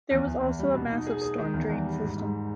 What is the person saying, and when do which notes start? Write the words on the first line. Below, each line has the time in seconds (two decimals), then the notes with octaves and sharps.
There was also a massive storm drain system.
0.11 E2
0.27 E2
0.43 E2
0.59 G3
0.74 B2
0.90 D#4
1.07 G#4
1.22 G#4
1.38 D#3
1.53 E2
1.69 E2
1.86 G3
2.01 G#2
2.18 G#2